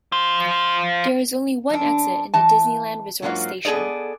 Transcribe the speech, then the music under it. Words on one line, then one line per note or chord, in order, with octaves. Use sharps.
There is only one exit in Disneyland Resort Station.
F4 C5
F#2 D4
E3 A5
G#2 F#3 A#3 C4 F4 F#4
B3 G#4 A4 D5 D#5